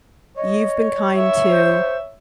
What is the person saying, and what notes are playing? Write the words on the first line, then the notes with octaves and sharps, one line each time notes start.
you've been kind to,
C#5 D#5
E5
C5